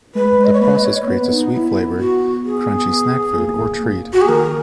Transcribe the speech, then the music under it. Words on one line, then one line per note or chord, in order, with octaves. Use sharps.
The process creates a sweet flavored, crunchy snack food or treat.
G#3 B4
G#3
D#5
C#5
A#3 B4
D#5
C#5
B3 B4
D#4
E4
F#4
G#4
A#3
A#3
F#4
G#4
D#3 A#4